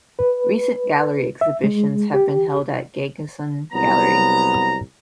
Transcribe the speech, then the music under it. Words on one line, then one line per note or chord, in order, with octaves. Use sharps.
Recent gallery exhibitions have been held at Gagosian Gallery.
B4
E5
G#3
G4
C2 F#3 B3 A#5